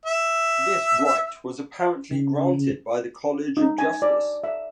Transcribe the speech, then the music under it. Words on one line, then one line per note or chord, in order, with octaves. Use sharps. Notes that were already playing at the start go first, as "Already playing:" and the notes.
This right was apparently granted by the College of Justice.
E5
C#3
D#4
G#5
D5
E5